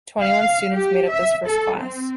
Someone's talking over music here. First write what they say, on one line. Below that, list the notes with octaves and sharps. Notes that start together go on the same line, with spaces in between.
Twenty-one students made up this first class.
F5
G4
E5
A4
C4